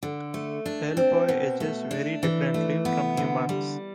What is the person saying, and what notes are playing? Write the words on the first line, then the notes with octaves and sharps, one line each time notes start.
Hellboy ages very differently from humans.
D3
A3
D4
C4
B2
A3
D4
E3
A3
B3
D3
G3